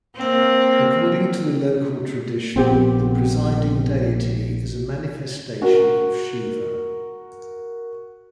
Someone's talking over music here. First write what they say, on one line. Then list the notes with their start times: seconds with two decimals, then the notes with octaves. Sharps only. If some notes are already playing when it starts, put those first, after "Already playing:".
According to the local tradition the presiding deity is a manifestation of Shiva.
0.16 A#3 C4
2.56 A#1 B3 C4 G4
5.62 F#4 A#4